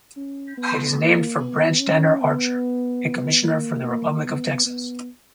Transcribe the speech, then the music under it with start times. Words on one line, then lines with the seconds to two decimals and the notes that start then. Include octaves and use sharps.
It is named for Branch Tanner Archer, a commissioner for the Republic of Texas.
0.16 C#4
0.57 B3
0.98 A#3
1.39 B3
1.80 C#4
2.21 B3
3.43 A#3
3.84 A#3
4.25 B3
4.66 B3